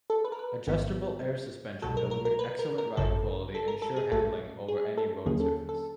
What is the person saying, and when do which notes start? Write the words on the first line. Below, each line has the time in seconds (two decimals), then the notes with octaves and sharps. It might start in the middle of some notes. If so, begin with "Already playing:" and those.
Adjustable air suspension delivered excellent ride quality and sure handling over any road surface.
0.10 A4
0.25 B4
0.32 A#4
0.39 B4
0.67 A1 G#2 D#3 F#3 B3
1.82 C2 B2 F#3 A4
1.97 A#4
2.11 A#4
2.25 A#4
2.39 B4
2.59 A#4
2.78 A#4
2.97 G#1 F#2 C#3 A4
3.55 A4
3.68 A#4
3.82 A4
3.96 G#4
4.12 A#1 A2 F#3 A4
4.68 G#4
4.97 A4
5.26 D#2 D3 F#3 A#3 C#4 G#4
5.40 A4
5.69 A4